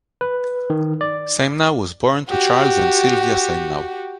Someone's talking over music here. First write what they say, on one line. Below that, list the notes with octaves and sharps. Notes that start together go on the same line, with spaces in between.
Samenow was born to Charles and Sylvia Samenow.
B4
D#3
D5
F#4 G4